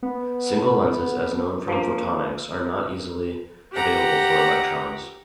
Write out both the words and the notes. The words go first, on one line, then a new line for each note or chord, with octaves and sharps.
Single lenses as known from photonics are not easily available for electrons.
B3
F3 A#3
G4 F#5 A#5